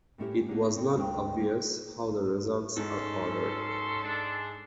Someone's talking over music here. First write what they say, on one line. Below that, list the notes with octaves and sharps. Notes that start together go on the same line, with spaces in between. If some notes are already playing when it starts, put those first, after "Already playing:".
It was not obvious how the results are ordered.
A2 A3 C#4 E4 G4 A#4
A#3 B3 D4 D#4 G#4
C4 C#4 D5
D2 D4 A#4 C5 G5
A#3
G#2 C#4 A4 C6
G#3 D4